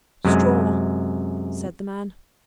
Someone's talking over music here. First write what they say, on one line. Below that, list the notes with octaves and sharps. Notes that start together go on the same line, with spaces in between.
"Straw," said the man.
F#2 C3 G#3